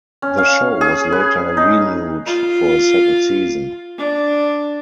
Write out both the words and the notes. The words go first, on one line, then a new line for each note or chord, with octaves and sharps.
The show was later renewed for a second season.
C#4
F5
G#4
B4
D#4
F4
D4